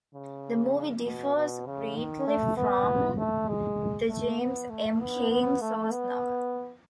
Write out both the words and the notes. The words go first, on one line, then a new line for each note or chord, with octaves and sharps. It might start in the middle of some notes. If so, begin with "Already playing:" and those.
The movie differs greatly from the James M. Cain source novel.
C#3
B2
B2
C#3
D#3
A3
B3
A3
G#3
A3
B3
A3
B3
B3
A3
B3